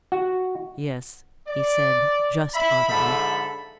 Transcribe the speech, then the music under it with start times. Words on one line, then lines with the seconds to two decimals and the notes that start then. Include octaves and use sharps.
"Yes," he said, just audibly.
0.12 F#4
1.48 D5
2.54 E5 B5
2.88 G#2 D3 F3 A4 E5 B5